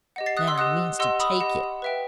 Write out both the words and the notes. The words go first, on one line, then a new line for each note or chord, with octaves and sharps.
"Then I means to take it."
G4 D#5 F#5
A6 C7
D#6 F#6
C6 E6
G4 D#5 F#5 D#6 F#6
G4 D#5 F#5 C6 E6
B5 D#6
G4 D#5 F#5
B4 E5 G5